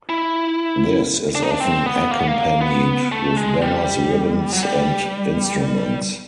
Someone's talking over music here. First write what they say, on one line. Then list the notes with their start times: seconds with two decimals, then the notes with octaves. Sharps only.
This is often accompanied with banners, ribbons and, instruments.
0.09 E4
1.35 D4
1.43 D#4
1.50 D4
1.60 C4
1.86 B3
2.11 A#3
2.19 B3
2.27 A#3
2.61 B3
3.12 A3
3.37 G#3
3.62 G3
4.53 F#3
4.63 G3